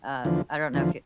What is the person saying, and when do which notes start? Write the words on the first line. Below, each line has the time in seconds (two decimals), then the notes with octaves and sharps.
Uh, I don't know if you
0.25 E2 D3 F3
0.74 E2 D3 F3